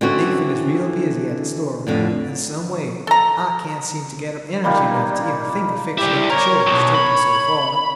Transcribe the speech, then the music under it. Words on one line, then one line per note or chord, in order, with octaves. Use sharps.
Nathan is real busy at the store; and, some way, I can't seem to get up energy enough to even think of fixing up the children to take them so far.
D3 E3 C4 C#4 F#4
F2 A2 D3
A4 A#5
A#2 G3 A#3 D#4
G3 E4 G4
A#4 C#5
B1
B5